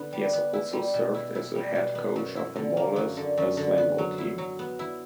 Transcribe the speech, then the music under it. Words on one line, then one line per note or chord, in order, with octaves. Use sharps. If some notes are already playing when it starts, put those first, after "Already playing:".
He has also served as the head coach of the Maulers, a Slamball team.
Already playing: D3 B3
G3
B3
E4
G3
B2
E4
E4
G3
B2
B3
F#2
E4
D3
A#3
F#2
D3
F#2
D3
B3
F#3
E4
F#3
B3
E4